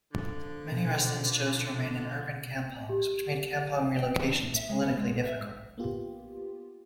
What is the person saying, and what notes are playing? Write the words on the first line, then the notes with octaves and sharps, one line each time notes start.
Many residents chose to remain in urban kampongs, which made kampong relocations politically difficult.
D3 F3
B2
G4
G5
E3
D4
A2
E5
G#3
B3
G#3
A#2
E5
G#2
A#3 B3 F4 G4